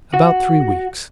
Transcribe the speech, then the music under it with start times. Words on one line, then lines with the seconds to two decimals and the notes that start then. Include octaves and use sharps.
"About three weeks."
0.14 F#4